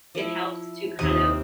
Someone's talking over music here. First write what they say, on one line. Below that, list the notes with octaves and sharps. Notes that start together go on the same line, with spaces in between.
it helps to kind of
F3 E4
D#2 C3 D#3 D#5